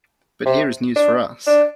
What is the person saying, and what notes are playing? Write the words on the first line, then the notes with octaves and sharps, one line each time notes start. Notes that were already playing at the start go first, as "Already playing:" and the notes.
But here is news for us.
C3
D4
D4